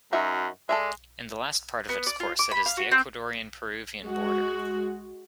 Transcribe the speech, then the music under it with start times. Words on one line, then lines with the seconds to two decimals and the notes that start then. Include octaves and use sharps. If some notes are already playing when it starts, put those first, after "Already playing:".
In the last part of its course it is the Ecuadorian-Peruvian border.
0.13 F#2 D#4 F#4 E5
0.69 G#3 A4 D5 E5
1.89 B3
2.07 D5
2.20 F4
2.39 D6
2.51 B5
2.66 F5
2.77 F#4
2.92 C4
4.05 G#3 F#4